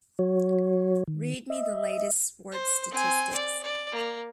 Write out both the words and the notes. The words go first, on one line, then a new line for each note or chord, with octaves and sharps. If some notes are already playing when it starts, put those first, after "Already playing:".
Read me the latest sports statistics.
F#3 F#4 C#5
D#3
D#5 E5
C5
C4 G#5
D5
D5
A#3